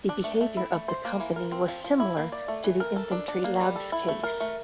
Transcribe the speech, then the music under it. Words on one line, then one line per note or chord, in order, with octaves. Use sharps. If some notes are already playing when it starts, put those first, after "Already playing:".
The behaviour of the company was similar to the Infantry Labs case.
D4
A3
A3
E4
A3
C5
A#3
E3
A#4
C4
F3
F3
E4
A#3
D5
A3
E3
A#4
A4
D4
D4
A#3
G3
A4
E4
A3
A#4
A3